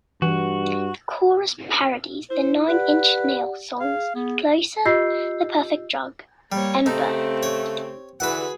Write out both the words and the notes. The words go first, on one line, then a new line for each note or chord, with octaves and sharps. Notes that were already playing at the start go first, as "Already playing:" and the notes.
The chorus parodies the Nine Inch Nails songs "Closer", "The Perfect Drug" and "Burn".
G2 E3 F#4
E4 C5
G4 B4 D5 F#5
G#4 F5
B3 G#4
F4 G4 D#5 E6 G6 C7
G3 A#3 C#5
C#3 A3 C4 D#4 G4
C#5
D3 E3 F#4 G#4 B4 F#5